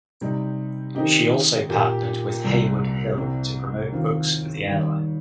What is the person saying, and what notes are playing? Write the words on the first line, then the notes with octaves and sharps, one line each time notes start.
She also partnered with Heywood Hill to provide books for the airline.
C3 G3 D#4
D#3 C4 D#4 G4
A#2 A#3 G4
C2 C3 G3
C2 C3 G3 C4
D#2 D#3 C4 F4
D#2 D#3 G3